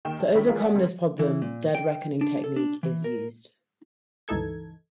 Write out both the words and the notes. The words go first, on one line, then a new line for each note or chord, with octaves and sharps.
To overcome this problem, dead reckoning technique is used.
D#2 D#3 G5 E7
G2
F#2 D#3 C#4 E4 B5 B6
E3 G#3 A#3 F4 G#4 A#4
G#4 A4 D5 F#5
D2 C3
E3
A#2
G5
D4
A4
D4
E3
A#4
G1 C#2 E3 D#4 A4 G#6